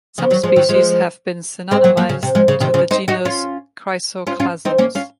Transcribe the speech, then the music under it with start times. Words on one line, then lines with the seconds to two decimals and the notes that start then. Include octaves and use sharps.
Some species have been synonymizedd to the genus "Chrysochlamys".
0.18 C#3 F3
0.30 D#3 F#3
0.43 F3 G#3
0.56 D#3 F#3
0.69 F3 G#3
1.71 G#3 C4
1.84 F#3 A#3
1.97 F#3 A#3
2.09 C#3
2.23 C3
2.35 F3 G#3
2.48 C#3
2.60 C3 D#3
2.74 C#3 F3
2.91 C4 D#4
3.08 D#4 F#4
3.25 C#4 F4
4.27 C#4 F4
4.40 C#4 F4
4.65 C4 D#4
4.78 A#3 C#4
4.95 C#4 F4